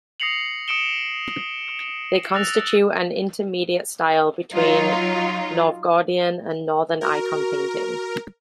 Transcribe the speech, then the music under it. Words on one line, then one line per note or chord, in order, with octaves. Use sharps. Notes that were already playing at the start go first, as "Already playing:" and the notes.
They constitute an intermediate style between Novgorodian and Northern icon painting.
D#6 A#6 C7 C#7 F7 F#7
D#6 C#7 D7 E7 G7
E6 F#6 A6 A#6 F7
F#3 D#4 F4
F#4 A#4